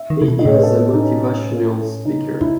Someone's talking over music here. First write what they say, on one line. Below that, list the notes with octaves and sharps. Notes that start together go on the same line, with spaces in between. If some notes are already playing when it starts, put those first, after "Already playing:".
He is a motivational speaker.
Already playing: E5
D#3
C#3
B2
D#5
A2 C#5
B4
A4
D#4
C#4
C#3 D#4
E4